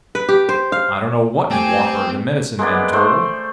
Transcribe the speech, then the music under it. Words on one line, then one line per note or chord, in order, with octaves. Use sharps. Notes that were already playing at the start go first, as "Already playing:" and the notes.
I don't know what whopper the medicine men told.
B4
G4
C5
F5
A3 C4 G4 G#5
G#3 A#3 B3 D5
A3 C5 D5